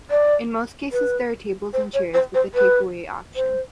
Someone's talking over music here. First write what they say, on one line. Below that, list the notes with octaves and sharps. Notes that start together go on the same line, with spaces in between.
In most cases there are tables and chairs with a take-away option.
D5
B4
C5
C#5
C5
C5
B4
C5